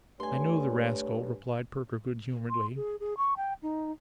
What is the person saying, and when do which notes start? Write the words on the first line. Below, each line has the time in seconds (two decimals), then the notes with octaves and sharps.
'I know the rascal,' replied Perker good-humouredly.
0.20 G2 A3 C#5 G#5 C6
2.50 C6
2.76 G#4
3.00 G#4
3.18 C#6
3.37 G5
3.63 D#4